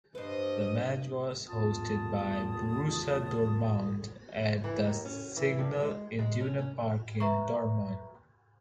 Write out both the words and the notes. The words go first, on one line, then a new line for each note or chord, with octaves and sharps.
The match was hosted by Borussia Dortmund at the Signal Iduna Park in Dortmund.
G2 B4 C5 D#5
E2 F4 A5 D#6
E3
D#2
C#4
E3
G2
G#3
G#3
C#4
C#4
B4 E5 A#5 C#6